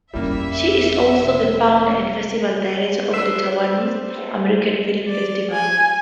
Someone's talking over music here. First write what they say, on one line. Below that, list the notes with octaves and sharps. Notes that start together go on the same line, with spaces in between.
She is also the founder and festival director of the Taiwanese American Film Festival.
G1 F2 C#3 G3 A#3 E4 E5
C3
D4 B4 C5 E5 E6 C7
D5
G#5